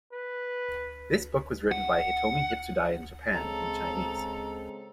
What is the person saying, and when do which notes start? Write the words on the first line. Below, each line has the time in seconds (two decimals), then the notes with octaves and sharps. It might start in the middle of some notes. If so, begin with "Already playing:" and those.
This book was written by Hitomi Hitsudai in Japan, in Chinese.
0.13 B4
1.72 F#5
3.33 C#3 G#3 C4 A4 A#5